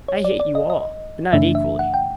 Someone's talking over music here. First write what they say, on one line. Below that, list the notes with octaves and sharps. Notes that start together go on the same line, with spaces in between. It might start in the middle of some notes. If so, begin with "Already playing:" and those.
I hate you all, but not equally.
C#5
D5
D5
D#5
D#5
F#2 C#3 E3 A3 D4 E5
E5
F#5
G5